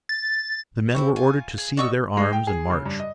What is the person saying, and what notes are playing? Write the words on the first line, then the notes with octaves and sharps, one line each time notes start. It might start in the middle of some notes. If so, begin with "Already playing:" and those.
The men were ordered to see to their arms and march.
A6
C4 E4 G4 C#6
F4 G#5
G#4
F#4 D5 D#5 C#6 D#6 E6
G#3
G5
G#4
C#3
G2
D#5